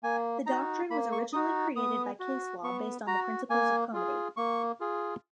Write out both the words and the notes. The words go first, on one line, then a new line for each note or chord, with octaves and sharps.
The doctrine was originally created by case law based on the principles of comity.
A#3 G#5
D#4 F#4 A#5
A#3 B5
C#6
D#4 F#4 D#6
B3 D#6
F#4
B3 C#6
F#4 A#5
A#3 G#5
F4 G#4
A#3 C#6
F4 G#4